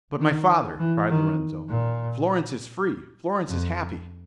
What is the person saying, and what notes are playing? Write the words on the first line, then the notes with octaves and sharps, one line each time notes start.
"But, my father," cried Lorenzo, "Florence is free, Florence is happy."
D#3
E3
D#3
A#2
F2